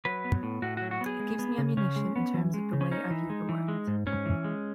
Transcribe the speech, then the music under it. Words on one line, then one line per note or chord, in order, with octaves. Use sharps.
It gives me ammunition in terms of the way I view the world.
F#3 B4
B3
A2
A2 F#4
F#3 F#4
F#4
B3
G#4
G#3
B3
C#3
C#3 C#4
G#3
B3
E3
G#3
C#3
C#4
C#4 D#4
E3
G#3
E3
G#3
G#2
G#2 C#4
E3
G#3